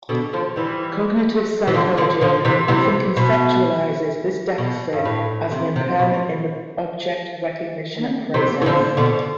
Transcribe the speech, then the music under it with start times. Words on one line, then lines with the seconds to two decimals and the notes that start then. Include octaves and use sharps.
Cognitive psychology often conceptualizes this deficit as an impairment in the object recognition process.
0.09 B2 D3
0.33 D3 F3
0.56 E3 G3
1.67 E3
1.74 D3 F3
1.97 D3 F3
2.21 D3 F3
2.45 C3 E3
2.68 C3 E3
3.17 B2
4.58 B2
4.93 G2
5.05 A2
5.51 C3
5.76 C3
5.99 B2
8.34 C3 E3
8.62 E3
8.66 D3 F3
8.97 B2 D3